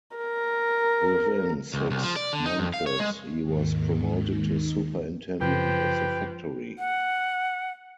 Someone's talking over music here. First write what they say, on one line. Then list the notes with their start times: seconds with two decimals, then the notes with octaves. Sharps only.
Within six months, he was promoted to superintendent of the factory.
0.16 A#4
1.74 C#2
1.91 C2
2.04 F3
2.16 D5
2.33 D3
2.46 D#4
2.59 F2
2.74 F5
2.87 C#5
3.00 G#3
3.43 D#2 G#2 D#3
5.41 F#2 C#3 F3 G4 B4
6.78 F#5